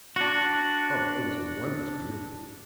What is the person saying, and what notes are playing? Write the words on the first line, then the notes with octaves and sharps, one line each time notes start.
Oh, it was wondrous beautiful!
D4 F#4